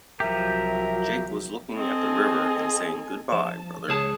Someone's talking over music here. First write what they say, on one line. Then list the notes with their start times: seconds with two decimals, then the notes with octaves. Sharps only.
Jake was looking at the river and saying Goodbye, brother.
0.20 C2 F3 F#3 G4 A#4 E5
1.77 C4 A4 D#5 G#5
3.32 F3 A5
3.89 C#2 G#4 C#5 A5